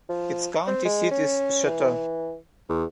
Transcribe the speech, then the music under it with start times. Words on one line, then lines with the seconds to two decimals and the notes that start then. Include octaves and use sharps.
Its county seat is Choteau.
0.09 F3
0.67 C4
0.85 G#3
1.11 C#4
1.65 E3
2.69 E2